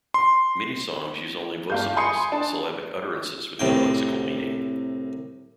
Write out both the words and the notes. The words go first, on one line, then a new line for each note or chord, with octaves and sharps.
Many songs use only vocables, syllabic utterances with no lexical meaning.
C6
G2 F5 G6
G#5 B5 C6 D#6 C7 C#7
D4 A5
C2 A2 G5